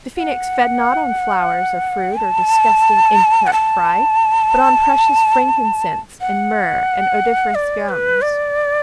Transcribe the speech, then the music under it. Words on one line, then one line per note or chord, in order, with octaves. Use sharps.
The Phoenix fed not on flowers or fruit or disgusting insect-fry, but on precious frankincense and myrrh and odoriferous gums.
F#5
A5
F#5
A5
F#5
D5
B4
D5